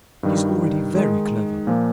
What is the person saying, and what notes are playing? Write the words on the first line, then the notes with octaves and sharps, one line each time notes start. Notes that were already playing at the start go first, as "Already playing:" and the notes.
She is already very clever.
G2 D#3 G3
D#3 G#3 D#4 A#4
A#2 F3 A#3